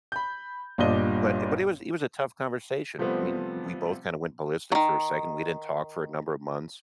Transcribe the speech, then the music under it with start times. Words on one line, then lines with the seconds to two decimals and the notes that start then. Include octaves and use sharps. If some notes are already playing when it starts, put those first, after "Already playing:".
But i but it was it was a tough conversation, I mean, we both kinda went ballistic for a second, we didn't talk for a number of months,
0.12 B5 G6
0.78 G1 A#2 G3 D4 D#5 G7
2.99 C3 F3 G3 A3 B3 C4
4.72 D#3 F#3